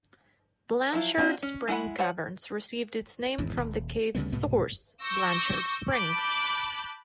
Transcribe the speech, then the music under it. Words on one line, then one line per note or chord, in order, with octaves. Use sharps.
Blanchard Springs Caverns received its name from the cave's source, Blanchard Springs.
F3 F#3 E4 F4
C4 D4 D#4 F4 F#4
C#4
G#3 E4 F4 F#5 B5
C5 C#5 F#5
G#1 E2 G#2
D#1
D2 C#3 G3 B3
C2 G#2 B2 B3
C#6 D6 E6 G6 A#6
A5 B5 D6 F#6 G6